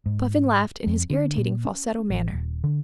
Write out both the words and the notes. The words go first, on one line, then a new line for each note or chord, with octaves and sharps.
Puffin laughed in his irritating falsetto manner.
G#2
F2
D3
A#2
C#4
A1
D#1
D3